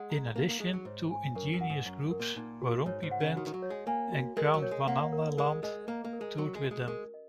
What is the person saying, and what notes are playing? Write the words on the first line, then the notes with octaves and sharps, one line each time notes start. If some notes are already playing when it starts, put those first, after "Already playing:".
In addition, two indigenous groups, Warumpi Band and Gondwanaland, toured with them.
Already playing: G#3 F#5
A#5
A#3 D#4
A#3
G#3 G#4
F#3
G#2 C#5
G#5
F#2 A#4
F#2
F#5
G#2
F#2 A#5
F#2
A#4
A#2
A#2 D#4
F#4
G#2 C#5
G#2
F#5
C#3
D#3 F#4
D#3
F#3
C#5
G#3
A#3 G#5
F#4
G#3 A#4
F#3
C#5
G#3
A#3 F#5
A#4
G#3 A#4
G#3 D#5
A#3 A#5
A#3
A#4
G#3
F#3 C#4
G#3
F#4
G#3
G#3 A#4
D#5